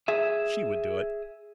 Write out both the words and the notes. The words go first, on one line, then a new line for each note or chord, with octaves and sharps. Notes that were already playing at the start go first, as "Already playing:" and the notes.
She would do it.
G#4 E5